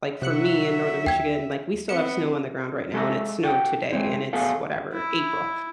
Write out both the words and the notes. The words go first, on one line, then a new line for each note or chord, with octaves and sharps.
like, for me in Northern Michigan, like, we still have snow on the ground right now, and it snowed today, and it's whatever April,
C3 F#3 E5 F#6 C#7
D#2 G5 G#6
B3 C4 C#7 E7
G#3 A4 E5 A#5
F#4 A4 G5
G#3 A3 C4 E4
A3 B3 F#4 G#4 A4 F5
E4